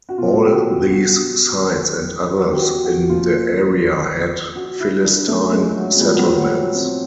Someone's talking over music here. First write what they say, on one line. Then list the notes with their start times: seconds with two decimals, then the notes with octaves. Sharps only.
All these sites and others in the area had Philistine settlements.
0.09 F#4
0.18 B2 F4
0.45 G4
0.54 F#4
0.91 F#4
2.37 F#4
2.51 G4
2.61 F#4
2.85 F#4
3.09 A#2 F3 F4
4.55 F#4
4.80 E4
5.04 D4
5.28 A3
5.52 G#3
5.77 F#3
5.97 G#3
6.01 A2 F3 G3
6.14 F#3
6.19 G3
6.38 F#3
6.74 C4